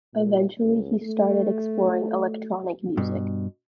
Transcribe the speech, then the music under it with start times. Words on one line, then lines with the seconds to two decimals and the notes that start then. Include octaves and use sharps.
Eventually he started exploring electronic music.
0.14 A#2
0.62 C#2
1.01 A3
2.97 G2 B2